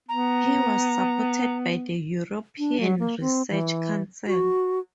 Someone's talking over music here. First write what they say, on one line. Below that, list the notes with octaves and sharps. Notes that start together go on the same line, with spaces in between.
He was supported by the European Research Council.
B3 A#5
D4
F#3
A#3
C4
E3
F#4